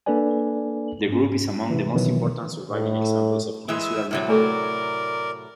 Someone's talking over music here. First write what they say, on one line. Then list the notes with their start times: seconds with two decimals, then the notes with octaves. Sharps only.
The group is among the most important surviving examples of Insular metalwork.
0.06 A#3 D4 A4 B4 D5 G#5
1.08 G#2 C#4
1.70 C3 E3
1.94 B2 D#3 E3 F#3 B3
2.70 A2
3.69 E3 G#3 E5 E6
4.11 A2 C3 F#3
4.28 A3 A4 A#4 D5 C#6